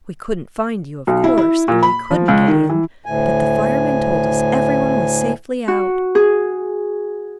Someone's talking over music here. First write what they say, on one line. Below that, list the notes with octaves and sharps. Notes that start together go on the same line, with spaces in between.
'We couldn't find you, of course--and we couldn't get in--but the firemen told us every one was safely out.
B1
E4
E4
A#2
B5
F3
C#2
D#3
E3
D2 A2 G#5
F#4
G#4